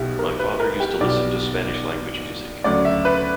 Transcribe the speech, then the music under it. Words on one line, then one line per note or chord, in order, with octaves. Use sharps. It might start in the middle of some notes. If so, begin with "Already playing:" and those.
My father used to listen to Spanish-language music.
Already playing: B1 B2 E4 G4
A#4
B4
A#4
G4
B1 B2 G3 D5
D2 C#3 F#3 D5
E5
B4